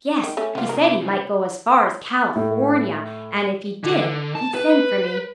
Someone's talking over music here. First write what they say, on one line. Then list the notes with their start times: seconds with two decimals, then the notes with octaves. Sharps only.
Yes, he said he might go as far as California, and if he did he'd send for me.
0.24 D#3
0.37 A3 C#4
0.55 C3 A#3 B3 F4
0.69 A#4
1.01 C#3 F3
2.36 A2
3.84 D3
4.35 A5
4.54 B4